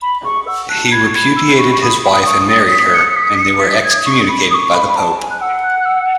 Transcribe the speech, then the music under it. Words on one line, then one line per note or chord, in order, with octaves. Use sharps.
He repudiated his wife and married her, and they were excommunicated by the Pope.
B5
G#4 C#6
F#5 E6
A5 F#6
B5 G#6
C#6
B5 G#6
E6
C#6
C#6
B5 D#6
B5
C#6
A6
B6
C#7
C#7
B6
B6
C#7
B6
G#6
C#6
B5
D#6
C#6
B5
B5
A5
G#5
F#6
F#5 E6
F#6
F#6
E6